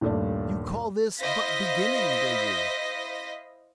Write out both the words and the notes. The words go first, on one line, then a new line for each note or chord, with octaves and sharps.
You call this but beginning, do you?
D#1 G2 A3 D5
E4 C5 D#5 F5 A#6 B6